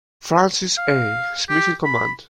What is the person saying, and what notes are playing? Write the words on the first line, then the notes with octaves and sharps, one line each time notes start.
Francis A. Smith in command.
F5
G4
B5